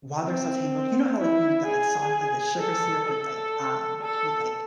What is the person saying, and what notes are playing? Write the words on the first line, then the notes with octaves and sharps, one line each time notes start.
while they're sauteing, like you know how, like, you make that, like sauce, like, the sugar syrup with, like, um, with, like,
C4
E4
G#4
A4
A4
A4